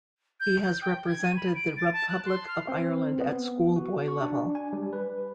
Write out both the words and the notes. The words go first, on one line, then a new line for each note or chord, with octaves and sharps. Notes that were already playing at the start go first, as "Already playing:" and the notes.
He has represented the Republic of Ireland at schoolboy level.
G6
G6
G5
G#6
D#7
B5
D7
A6
A5
F#6
C6
F6
C4
B3
F#4
C#6
D4
G#5
G3
B4